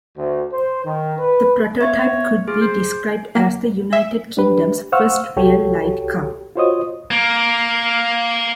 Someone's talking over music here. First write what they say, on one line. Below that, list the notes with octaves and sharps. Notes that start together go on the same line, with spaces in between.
The prototype could be described as the United Kingdom's first real light car.
D2
C5
D#3
B4
B3 C#5 E5
F4 G#4
C5
A#3
E5
D4 G4 B4
C5 F5 F#5 C#6 E6 F6
C2 F#4 G4 A4 C#5 G5
F4 F#4 C5 C#5 D#5 D#6
A#3